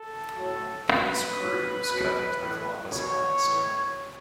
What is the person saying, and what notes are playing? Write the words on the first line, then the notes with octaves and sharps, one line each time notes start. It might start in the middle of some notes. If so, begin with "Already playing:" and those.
These grooves cut into the Columbus Limestone.
Already playing: A4
A2 F#3
B2 F#3 B4
B2 F#3
B2 F#3
A2 E3
B2 F#3 C#5
A2 E3